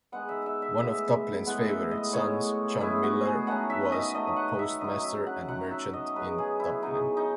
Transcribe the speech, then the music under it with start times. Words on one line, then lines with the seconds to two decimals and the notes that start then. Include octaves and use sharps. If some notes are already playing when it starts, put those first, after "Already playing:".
One of Duplin's favorite sons, John Miller, was a postmaster and merchant in Duplin.
0.12 D#3 G#3 B3 F#5
0.29 E5
0.46 E5
0.62 E5
0.80 A2 G#3 B3 E5
1.47 A2 G#3 B3 F#5
1.69 E5
1.91 D#5
2.13 A2 G#3 B3 C#5
2.80 A2 G#3 B3 E4
3.03 F#4
3.25 G#4
3.47 D#3 A3 C#4 F#5
3.70 E5
3.92 D#5
4.15 D#3 A3 C#4 D#5
4.36 F#5
4.59 E5
4.81 F#2 D#3 F#3 D#5
5.04 E5
5.26 F#5
5.48 F#2 D#3 F#3 F#5
5.71 E5
5.93 D#5
6.16 C#3 F#3 B3 B4
6.38 G#4
6.60 E4
6.82 C#3 F#3 B3 D#4
7.17 D#4